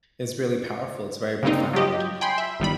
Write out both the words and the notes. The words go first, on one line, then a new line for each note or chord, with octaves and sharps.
is really powerful, it's very profound,
C#3 G3 A#3 C4 D#4
F#3 F4 G4 D#5
G5 G#5 B5 C6
E5
G1 D#3 G3 B5